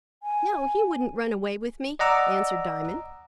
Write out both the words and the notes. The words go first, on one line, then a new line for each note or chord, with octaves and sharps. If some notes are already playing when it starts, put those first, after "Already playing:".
"No, he wouldn't run away with me," answered Diamond.
G#5
D5 D#5 F#5 A#5 D6 E6